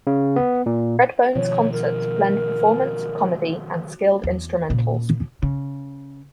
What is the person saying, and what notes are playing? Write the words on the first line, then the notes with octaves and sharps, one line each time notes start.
Redbone's concerts blend performance, comedy, and skilled instrumentals.
C#3
B3
A#2
B2 D#3 F3 C#5
A#4
E2
A#2 C#3
C#3